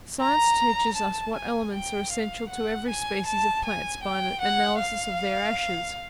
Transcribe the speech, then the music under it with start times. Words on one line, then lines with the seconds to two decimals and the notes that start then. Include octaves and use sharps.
Science teaches us what elements are essential to every species of plants by an analysis of their ashes.
0.20 A#5
0.96 A5
1.35 G#5
1.74 G5
2.12 F5
2.49 F#5
2.88 G#5
3.26 A5
3.65 G#5
4.03 G5
4.41 F#5
4.79 F5